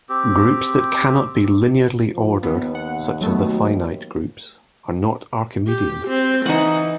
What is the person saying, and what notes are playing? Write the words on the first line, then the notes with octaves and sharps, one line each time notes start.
Groups that cannot be linearly ordered, such as the finite groups, are not Archimedean.
C4 G4
F3
D#2 B3
F#5
F#3 A3 B3
G4
C4
E3 D#4 F#5